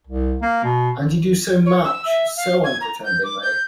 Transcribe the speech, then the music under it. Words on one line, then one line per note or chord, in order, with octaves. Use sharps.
And you do so much, so unpretendingly!
C2
A#3
B2
C#5
E6
E5
F5
G#6
A#5
G6
D6
G6